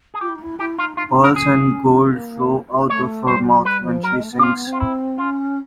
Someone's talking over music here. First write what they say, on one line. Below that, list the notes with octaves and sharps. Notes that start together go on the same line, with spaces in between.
Pearls and gold flow out of her mouth when she sings.
G#4
F4 G4
E4
D#4
E4
E4 G4
D#4 F4
D#4 F4
D#4
D4
A#4
C#4
G#4
A#3
A3 C#5
G3 C5
F#3
G3 B4
F3
F#3 A#4
G#3
A3
B3
C#4
C4 F4
B3
C4
F4
E4
C#4 F4